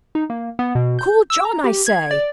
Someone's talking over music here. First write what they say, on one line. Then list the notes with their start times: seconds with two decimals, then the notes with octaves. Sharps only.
Call John, I say!'
0.15 D#4
0.30 A#3
0.59 B3
0.75 B2
0.99 G6
1.30 E6
1.45 A#5
1.64 G4
1.87 G#6
2.11 D5